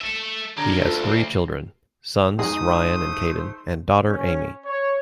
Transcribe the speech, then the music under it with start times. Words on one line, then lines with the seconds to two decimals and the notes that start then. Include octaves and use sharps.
He has three children: sons Ryan and Caden, and daughter Aimee.
0.02 A4 E5 E7
0.58 D3 G4 A#4 A#5 G#6
0.80 D2 F4 A4 B4
1.12 C7
2.39 G#3 A3 D#4 G#4 C5 D#6
4.07 C#4
4.66 C#5